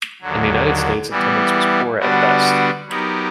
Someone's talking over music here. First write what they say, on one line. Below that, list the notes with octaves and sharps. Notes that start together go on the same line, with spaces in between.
In the United States attendance was poor at best.
D#2 D3 F#3
E3 G3 B3
D3 G3 B3 D4 F#4
F#3 B3 D#4 G4 A#4